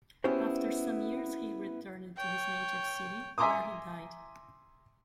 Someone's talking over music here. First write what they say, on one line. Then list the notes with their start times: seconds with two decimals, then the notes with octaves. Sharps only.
After some years he returned to his native city, where he died.
0.24 B3 C#4 E4 F#4 G4 C5
2.17 C#5 G5
3.38 E5 G#5 A#5 C6 D6 D#6